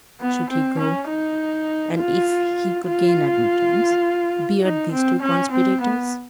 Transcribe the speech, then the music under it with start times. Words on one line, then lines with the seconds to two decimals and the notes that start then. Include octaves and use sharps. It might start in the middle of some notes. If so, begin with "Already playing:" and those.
Should he go and--if he could gain admittance--beard these two conspirators?
0.21 B3
0.50 C4
0.79 C#4
1.09 D#4
1.98 F4
2.86 F4
4.63 D#4
4.92 C4
5.22 C#4
5.51 C4
5.81 B3